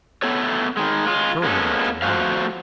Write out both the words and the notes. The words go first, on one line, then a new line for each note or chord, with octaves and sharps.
Surely not the latter!
A3 B3 A4 C#5
D#3 G#3
G#3 F4
G#3 A#3 B3 C#4 E4 A4
F3 A3 F#4 C5 F5